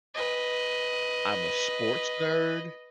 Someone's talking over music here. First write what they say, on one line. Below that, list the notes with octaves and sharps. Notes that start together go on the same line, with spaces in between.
I'm a sports nerd
B4 D#5